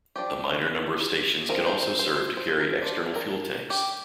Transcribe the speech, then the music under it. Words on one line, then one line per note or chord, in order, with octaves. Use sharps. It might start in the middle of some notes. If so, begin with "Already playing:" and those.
A minor number of stations can also serve to carry external fuel tanks.
F3 D4 G4
F3 C4 A#4
C5
C5
C5
C5
C5
A#4
F3 D4 C5
A#4
G4